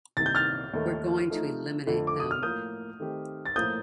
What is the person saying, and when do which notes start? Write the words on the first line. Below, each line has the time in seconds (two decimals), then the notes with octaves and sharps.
We're going to eliminate them.
0.17 C2 C3 D#3 A#3 A6
0.26 G6
0.35 F6 A6
0.73 D#2 D#3 A3
1.30 F3 A3 D#4
1.86 F2 D3 F3 A3
2.07 D6
2.20 D#6
2.31 F6
2.43 A2 F3 A#3 D#6 G6
3.00 D#3 A3 C4 G4
3.46 A6
3.56 A2 F3 A#3 F4 C5 D#6 G6